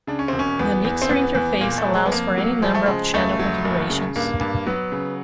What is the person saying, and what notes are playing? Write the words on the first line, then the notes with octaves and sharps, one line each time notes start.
The mixer interface allows for any number of channel configurations.
C#3 D4
C#4
E1 C4
C#4
E2 B3
E2
C4
E2 B3
E2
A#2 A#3
A3
F3
G#3
B3
F2 A#3
F#3
F3 G#3
A3
C#3 G#3
C#2 A3
F#3
F#1
C#3
G2 A#3
G2
F#3 B3
C#3